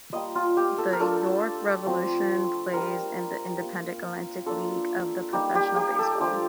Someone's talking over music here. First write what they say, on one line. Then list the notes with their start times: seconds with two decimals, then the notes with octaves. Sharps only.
The York Revolution plays in the independent Atlantic League of Professional Baseball.
0.13 G3 A#3 F4 D#5
0.35 F4
0.57 G4
0.78 A4
0.93 A#4
1.00 A3 D4 F4 A4
1.86 F3 A3 C4
2.73 G3 D4 F4 A#4
3.60 A#3 F4
4.46 A#3 D4 F4 A4
5.33 G3 A#3 D#4 G4
5.55 G4
5.76 G4
5.99 A4
6.20 F3 A3 D4 F4 G4